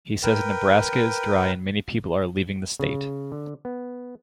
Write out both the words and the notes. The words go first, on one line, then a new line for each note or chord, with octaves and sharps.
He says Nebraska is dry and many people are leaving the state.
A#4 B4 G5
C#3
D3
B3